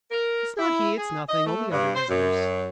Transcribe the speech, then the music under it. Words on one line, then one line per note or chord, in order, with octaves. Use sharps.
"It's not he, it's nothing, only other visitors."
A#4
E4
G#4
D#5
A3
G2
C5
F#2